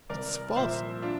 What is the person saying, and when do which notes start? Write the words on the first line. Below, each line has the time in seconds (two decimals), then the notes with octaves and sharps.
It's false!
0.10 C2 A#4 D5
0.56 A#2 F3 C5 E5
1.02 D4 F4